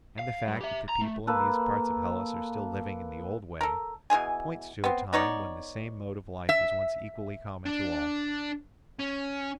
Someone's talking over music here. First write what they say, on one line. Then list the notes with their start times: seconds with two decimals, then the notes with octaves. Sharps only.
And the fact that the people in these parts of Hellas are still living in the old way points to a time when the same mode of life was once equally common to all.
0.19 F5
0.48 G2
0.61 G4 E5
0.89 A#5
1.01 A3
1.27 A#3 A4 B4
3.61 A4 A#4
4.10 B2 E3 G#4 G#5
4.84 B3 C4
5.13 B3 D#4 C#5 D5
6.49 E5
7.66 D4
8.99 C#4